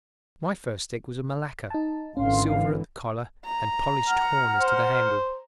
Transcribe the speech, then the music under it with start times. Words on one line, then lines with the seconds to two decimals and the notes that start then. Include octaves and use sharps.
My first stick was a malacca, silver at the collar and polished horn as to the handle.
1.70 D#4 A5
2.17 G#1 D3 E3 C#4 F5 C6
2.47 F5
3.45 A#5
4.07 F#5 F6
4.61 C5